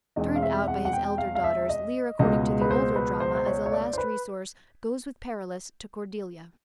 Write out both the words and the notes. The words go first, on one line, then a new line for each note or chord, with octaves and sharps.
Turned out by his elder daughters, Leir, according to the older drama, as a last resource, goes with Perillus to Cordelia.
E2 B2 G#3 C4 D#5
F5
E5
F#5
F#5
G5
F5
F5
E5
D#5
C#2 B2 G#3 B3 D#5
B4
C5
B4
C5
C5
C#5
C#5
D5
C5
B4